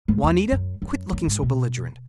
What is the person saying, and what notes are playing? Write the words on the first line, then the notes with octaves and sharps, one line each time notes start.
Juanita, quit looking so belligerent.
G#2
E2
F#2
F#2
F#2
G#2
B2